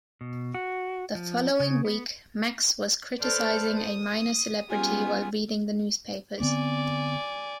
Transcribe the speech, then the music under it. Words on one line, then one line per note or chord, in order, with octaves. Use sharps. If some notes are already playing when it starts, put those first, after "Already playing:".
The following week Max was criticising a minor celebrity while reading the newspapers.
B2
F#4
F3
C#3
B3
A4 B4 C5 D5 A5 F6
D#6
G3 B3 C#4 F4 G4 G#4
D3 B3 C4 D5 G#5